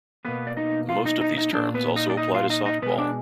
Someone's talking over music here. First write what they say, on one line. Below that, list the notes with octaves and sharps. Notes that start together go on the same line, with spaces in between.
Most of these terms also apply to softball.
B2 A#3 B3 B4
D5
D#4 D#5
F4 F5
D#4 D#5
D#4 D#5
D#4 D#5
A#2 G#3 D4 D5
B3 B4
D#4 D#5
D5
D#4 D#5
F4 F5
D#4 D#5
D#4 D#5
B2 G#3 B3 B4
D4 D5